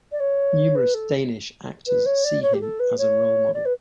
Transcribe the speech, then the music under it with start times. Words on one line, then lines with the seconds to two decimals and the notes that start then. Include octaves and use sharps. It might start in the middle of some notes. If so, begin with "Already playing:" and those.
Numerous Danish actors see him as a role model.
0.12 D5
0.20 C#5
0.75 B4
0.94 A4
1.87 B4
2.06 C#5
2.24 D5
2.42 C#5
2.54 G4
2.61 A4
2.80 B4
2.98 C#5
3.54 D5
3.65 B4